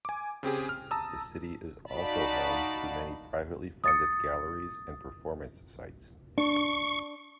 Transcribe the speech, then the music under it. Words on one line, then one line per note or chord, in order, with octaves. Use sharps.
The city is also home to many privately funded galleries and performance sites.
G#5 D6
C#3 C4 G4 G#4
F6
A5 A#5 D#6 E6
D#4 F#4 D5 F5 A5 B5
D#6 A6 C#7
D4 C#6